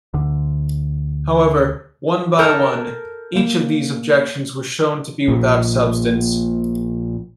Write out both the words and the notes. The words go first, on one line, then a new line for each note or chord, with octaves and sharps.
However, one by one, each of these objections were shown to be without substance.
D2 D3
A4 A#4 G6
A#3 E7
A#1 A#2